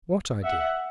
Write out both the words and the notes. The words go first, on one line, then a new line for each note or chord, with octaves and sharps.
What idea?
E5 F#5